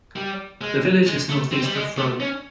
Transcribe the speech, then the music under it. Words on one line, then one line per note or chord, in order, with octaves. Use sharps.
The village is north-east of Frome.
G3
G#3
G#3
A3
C4
G3
G#3
A3
C#4